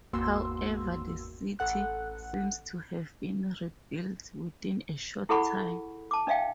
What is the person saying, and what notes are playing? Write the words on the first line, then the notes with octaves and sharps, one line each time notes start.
However, the city seems to have been rebuilt within a short time.
G#1 E2 A#3 F#4 C6 E6
A1 A4 F#5 F#6
E4 G#4 A4 F#5 B5 C#6
A5 D6
D4 D5 E5 F5 G5